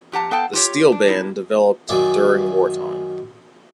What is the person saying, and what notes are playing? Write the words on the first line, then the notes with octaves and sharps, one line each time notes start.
The steelband developed during wartime.
F2 G4 F#5 A5 A#5
B3 A4 F5 G5 A5
F4 G4 C#5
D4
G3 D#4 E4
F#2 D#3 G#4 D5 E5